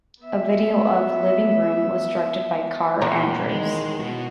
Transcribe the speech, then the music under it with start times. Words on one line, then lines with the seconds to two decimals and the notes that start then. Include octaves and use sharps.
A video of "Living Room" was directed by Kaare Andrews.
0.23 B3 E5
3.02 E2 A#2 E4 C#5 A#5
3.48 D#3 G#3
4.00 B2 F#4